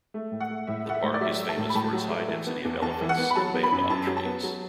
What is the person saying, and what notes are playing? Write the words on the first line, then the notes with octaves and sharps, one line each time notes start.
The park is famous for its high density of elephants and baobab trees.
A3
A2
F#5
A3
A2 E5
A3 F#5
E5
A2
D5
F#3 E5
A3
A5
A2
B5
A2 A5
F#3
A3
E3
B3
E2
E2 A5
E3
F#5
B3
B5
F#3 A5
B3
B5
F#2
F#2 A5
F#3
A5
B3
F#3